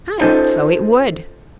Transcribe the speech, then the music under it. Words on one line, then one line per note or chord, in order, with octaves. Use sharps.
And so it would.
C#4 D#4 F4 A4 C5 D#5